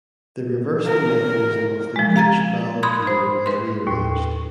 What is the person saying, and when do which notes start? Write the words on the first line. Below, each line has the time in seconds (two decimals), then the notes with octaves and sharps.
The reversing mechanism of the Gooch valve gear was rearranged.
0.86 A#4
1.96 F3 G#3
2.16 F5 A#5 G#6 A6
2.83 B5 C6 D#6 G#6
3.07 C5
3.46 B4 C6
3.87 D#2 A2